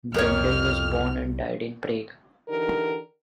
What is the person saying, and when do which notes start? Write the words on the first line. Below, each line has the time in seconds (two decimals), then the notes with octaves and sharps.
Bendl was born and died in Prague.
0.14 C2 F2 A#4 C#5 F6
2.48 D3 E3 D#4 G4 A#4